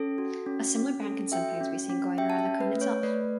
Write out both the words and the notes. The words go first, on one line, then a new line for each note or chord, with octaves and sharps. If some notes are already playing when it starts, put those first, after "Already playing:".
A similar band can sometimes be seen going around the cone itself.
Already playing: C#4 A4
F#4
C#4
C#4
A4
F#4 E5 G5
C#4
C#4
G4 E5 G5
A5
E5 G5
C#4
B4
A3
C#5
A3 B4 D5